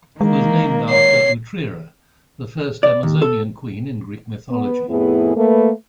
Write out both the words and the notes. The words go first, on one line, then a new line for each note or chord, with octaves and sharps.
It was named after Otrera, the first Amazonian queen in Greek mythology.
D#3 G#3 A#3
C#5 C7
D5
D#2
A4
B3
F2 A2 B3 E4 G#4
A3 A#3 B4